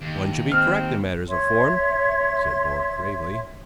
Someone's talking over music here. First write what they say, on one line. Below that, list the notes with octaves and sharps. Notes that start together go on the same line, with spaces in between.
"One should be correct in matters of form," said Borg gravely.
D#2
C4 F6
C#5 E5 C6